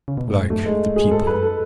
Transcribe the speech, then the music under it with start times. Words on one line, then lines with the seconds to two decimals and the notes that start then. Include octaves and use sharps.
Like the People.
0.08 C#3
0.17 B2
0.28 A2
0.39 G#2
0.50 F#2 A3
0.66 G#3
0.96 G#4
1.11 G#2 A4
1.27 F#2 B4
1.43 A4